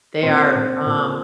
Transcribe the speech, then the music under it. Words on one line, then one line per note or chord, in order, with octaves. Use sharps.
They are, um,
A#2 C4
A#2
A#2